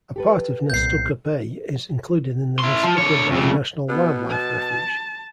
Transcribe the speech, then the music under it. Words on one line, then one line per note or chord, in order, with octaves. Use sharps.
A part of Nestucca Bay is included in the Nestucca Bay National Wildlife Refuge.
G4 A4 B4
C2 A#2 B3 G6 C7
E4 C6
F3
D3 C#5
F2 C#3
B2 B3
A5